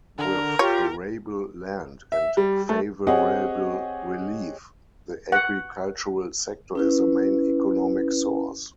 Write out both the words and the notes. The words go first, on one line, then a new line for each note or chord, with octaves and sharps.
With arable land and favourable relief, the agricultural sector is the main economic source.
D3 A#4
F4 G4 C#5
E5
G3
A3
C4 G4 G#4 C#5 D#5 F#5
F#5
C#4 E4 B4